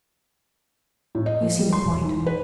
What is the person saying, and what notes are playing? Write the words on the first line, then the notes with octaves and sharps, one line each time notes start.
You see the point.
A2
D#5
F3
G3
C6
E1
D#3
E2
B4